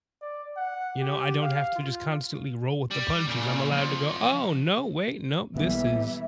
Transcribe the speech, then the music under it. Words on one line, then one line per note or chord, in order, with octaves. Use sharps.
You know, I don't have to just constantly roll with the punches. I'm allowed to go, "Oh, no. Wait. Nope. This is
D5
F#5
G4
F5
F4
G3
A#2 C#3
F2
B1 B2 E3 G3 A#3 B3 E5